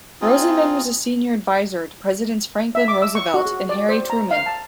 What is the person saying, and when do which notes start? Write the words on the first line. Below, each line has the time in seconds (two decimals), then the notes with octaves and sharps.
Rosenman was a senior advisor to presidents Franklin Roosevelt and Harry Truman.
0.21 C4 D#4 F4 G#4
2.75 E5
2.88 D6
3.02 E6
3.15 C#6
3.34 F#4
3.46 G#4
3.69 D5
3.89 C5
4.10 A#5
4.31 F5
4.46 A5